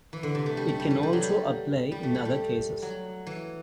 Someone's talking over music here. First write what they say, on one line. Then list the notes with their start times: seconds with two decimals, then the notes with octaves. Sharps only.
It can also apply in other cases.
0.13 E3
0.23 D3
0.35 C3
0.46 A3
0.57 G3
0.68 A3
0.80 G3
0.90 E3
1.03 G3
1.13 F#3
1.23 G3
1.92 G3
2.03 A3
2.15 G3
2.25 G3
2.82 F#3
3.27 E3